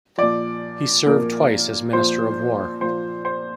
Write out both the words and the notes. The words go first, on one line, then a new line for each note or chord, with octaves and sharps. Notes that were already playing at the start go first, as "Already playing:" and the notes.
He served twice as minister of war.
A#2 F3 D5
A#2 F3 A#4
A#2 F3 C5
A#2 F3 C5
C5